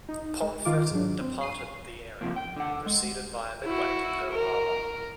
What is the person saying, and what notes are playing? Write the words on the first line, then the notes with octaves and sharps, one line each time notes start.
"Pomfret" departed the area and proceeded via Midway to Pearl Harbor.
D#4
G#3
D#3 F4 D6
G#2 F#3 D4
C4
C7 D#7
C3 F3 A#3
G5
D3 F#5
G#3
E4 F#4
A#4